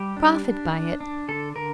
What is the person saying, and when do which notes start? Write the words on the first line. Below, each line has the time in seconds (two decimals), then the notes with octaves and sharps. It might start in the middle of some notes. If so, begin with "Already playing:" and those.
Profit by it.
Already playing: G3 G4
0.17 D4
0.45 D4
0.72 D4
1.00 D4
1.28 D3 A4
1.56 D3 A#4